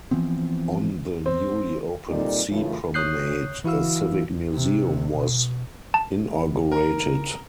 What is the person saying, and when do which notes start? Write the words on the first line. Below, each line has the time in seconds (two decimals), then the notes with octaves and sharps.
On the newly opened sea promenade a Civic Museum was inaugurated.
0.11 E3 F3 B3 C4
1.26 C4
2.09 A#2 G3 C4 D#4 A4 D5
2.50 F#2 A2 C#3 E3 A3 F4
2.94 C#5 D#6 F#6 G6 C7
3.64 E3 E4 F#4 F5 E6
4.54 C3
5.11 B2
5.94 A5
6.72 A#4